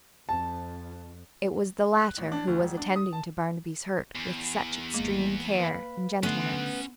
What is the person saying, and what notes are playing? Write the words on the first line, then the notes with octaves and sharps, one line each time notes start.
It was the latter who was attending to Barnaby's hurt with such extreme care and gentleness.
F2 A5
F#6
A1
D4
D2
E1
D4
D#6
A5
E2
G#1 G#3 A#3
B4 F5 B5
D3 A3 B3 C#4 C6 F#6